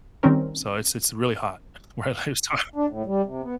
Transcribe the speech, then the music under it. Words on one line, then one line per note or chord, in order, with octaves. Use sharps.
so, it's it's really hot where I live, so
D#3 G3 C4 C#4 A#4
D4
A2
G3
C3
B3